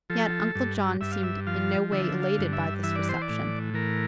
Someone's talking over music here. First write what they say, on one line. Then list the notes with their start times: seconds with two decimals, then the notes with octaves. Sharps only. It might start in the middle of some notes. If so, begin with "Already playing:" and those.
Yet Uncle John seemed in no way elated by this reception.
0.10 F3 A4
0.55 G2
1.01 G2 E5
1.12 F5
1.23 E5
1.47 F3 F5
1.92 D3 E5
2.22 F5
2.38 G2
2.53 E5
2.83 E3 E5
2.96 D5
3.09 C5
3.22 D5
3.29 A2
3.74 E3 A#4